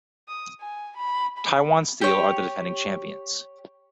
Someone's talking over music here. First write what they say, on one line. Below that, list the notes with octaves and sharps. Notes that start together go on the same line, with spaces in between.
Taiwan Steel are the defending champions.
D#6
G#5
B5
B5
G4 C#5